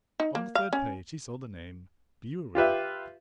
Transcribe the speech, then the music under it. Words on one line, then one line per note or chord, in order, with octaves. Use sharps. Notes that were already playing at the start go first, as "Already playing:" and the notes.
On the third page he saw the name Bewery.
D#4
A#3
F5
C#4
F4 G4 B4 E5